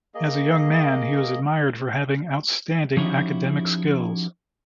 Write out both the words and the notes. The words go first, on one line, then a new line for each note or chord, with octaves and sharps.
As a young man he was admired for having outstanding academic skills.
A#3 G#4 D#5
F3 C#4 D#4 E4 F#4 G4